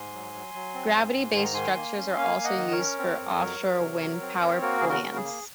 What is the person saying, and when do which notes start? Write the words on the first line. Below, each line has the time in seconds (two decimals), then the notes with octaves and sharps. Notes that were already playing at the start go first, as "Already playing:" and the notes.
Gravity-based structures are also used for offshore wind power plants.
Already playing: G#2 G#5 C6
0.13 F#3
0.34 F#3
0.54 F#3
0.74 C4
0.95 G#2
1.15 G#2
1.36 D#3 C6
1.45 A#5
1.54 D#3 G#5 C6
1.77 A#3
1.97 C#4
2.17 A#3 F5 G#5
2.38 A#3
2.44 D#5 F#5
2.58 D#3
2.72 A#4 C#5
2.78 C#4
2.99 C4
3.19 F2
3.39 F#3
3.60 F#3
3.80 C3
4.01 F#3
4.21 C4
4.41 C4
4.62 A#3 F#4 A#4
4.80 C#3 G#4
4.89 F#4 A#4
5.02 C#3
5.16 G#4
5.23 A#3